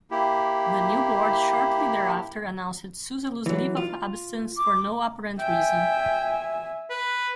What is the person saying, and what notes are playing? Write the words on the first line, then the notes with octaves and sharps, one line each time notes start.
The new board shortly thereafter announced Suzzallo's "leave of absence" for no apparent reason.
A#3 E4 G4
E3 F#3
F4
D6
E5 G5 G#5
B4